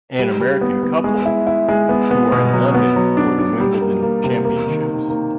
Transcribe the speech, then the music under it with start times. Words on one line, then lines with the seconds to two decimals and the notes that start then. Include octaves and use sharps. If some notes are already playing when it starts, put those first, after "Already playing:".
An American couple who are in London for the Wimbledon Championships.
0.19 G3
0.40 G3
0.61 B3
0.83 B3
1.04 G#3
1.26 E4
1.47 E4
1.69 G#3
1.89 B3
2.11 B3
2.32 B2
2.53 F#3
2.74 B3
2.96 F#3
3.17 D4
3.39 D4
3.60 G3
3.81 A#3
4.03 A#3
4.24 C3
4.45 A#3
4.67 D#3
4.88 D#3
5.09 A#3